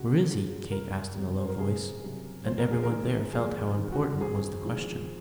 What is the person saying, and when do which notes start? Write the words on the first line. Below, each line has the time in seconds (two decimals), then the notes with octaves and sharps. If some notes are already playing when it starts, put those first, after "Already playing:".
"Where is he?" Kate asked in a low voice, and everyone there felt how important was the question.
Already playing: C#2 C#3 G#3 F#4
0.27 C#3 G#3
0.71 C#2 A#4
1.15 C3 F#3
1.38 C5
1.48 A#4
1.59 C#2 G#4
2.02 C3 F#3
2.45 F2 C5
2.58 A#4
2.71 G#4
2.83 A#4
2.90 D#3 G#3
3.33 F2 G#4
3.77 D#3 G#3
3.92 F#4
4.21 G#1 G#4
4.65 G#2 F3 G#3